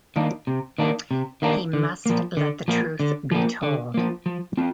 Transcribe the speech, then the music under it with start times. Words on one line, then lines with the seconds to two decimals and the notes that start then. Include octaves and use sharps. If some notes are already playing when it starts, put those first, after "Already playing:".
He must let the truth be told.
0.16 D#3 A#3 D4
0.47 C3
0.78 D#3 A#3 D4
1.11 C3
1.42 D#3 A#3 D4
1.73 D3
2.06 F3 A#3
2.37 D3
2.68 F3 A#3
3.00 D3
3.31 F3 A#3
3.63 D3
3.94 F3 A#3
4.26 F3
4.57 C4 F4